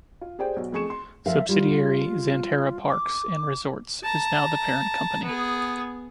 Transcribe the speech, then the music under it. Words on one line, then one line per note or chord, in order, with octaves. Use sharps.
Subsidiary Xanterra Parks and Resorts is now the parent company.
F4
G4 G#4 C5 D5 G5
B1 F#3
F2 A3 G#4 C#6 C#7 E7
C6
F3 A#4 E5 F5
G3 F4
D6
A5 A#5
B3 G#4